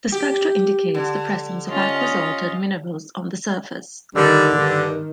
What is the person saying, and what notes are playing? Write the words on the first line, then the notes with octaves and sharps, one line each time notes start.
The spectra indicates the presence of aqueous-altered minerals on the surface.
G4
D3
C#4 F4 D#5
D3 D#3 G3
G2 D#3